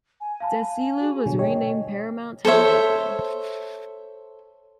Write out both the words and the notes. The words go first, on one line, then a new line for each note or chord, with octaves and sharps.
Desilu was renamed Paramount Television.
G#5
F5 A5 B5
F#4 G#4
B2 D3 F#3
C#5 D#5 G5
A4 C5 C#5 E5